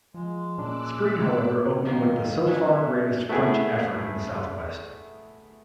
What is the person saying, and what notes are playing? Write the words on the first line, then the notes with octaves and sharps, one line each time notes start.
Spring however opened with the so far greatest French effort in the south-west.
F3 G#3
A#2 C#4 D4 D6 E6 F#6
D#3 F3 F#3 A#3
E3 F#3 A3 C#4 D4
A3 B3 E4 G#4